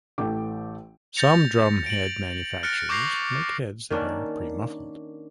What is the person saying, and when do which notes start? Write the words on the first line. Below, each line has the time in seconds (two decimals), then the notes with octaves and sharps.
Some drumhead manufacturers make heads that are pre-muffled.
0.18 A1 E3 A3 G5 D6
1.16 G6 A6 A#6 C#7 F7
1.86 D7 F#7
2.63 F6 F#6 A6 A#6 C#7 D7
2.89 C#6 D6 G6 A#6 C7 F7
3.90 D#3 A#3 C#4 D4